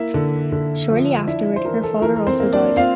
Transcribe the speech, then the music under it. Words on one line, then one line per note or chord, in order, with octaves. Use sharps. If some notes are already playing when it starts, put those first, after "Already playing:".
Shortly afterward, her father also died.
Already playing: A#3 E4 E5
D3
D3
F3
D4 E4 E5
C5
E3 A#4
A4
E3 A#4
A#4
C4 C5
A#3
D4 D5
C4 F4 F5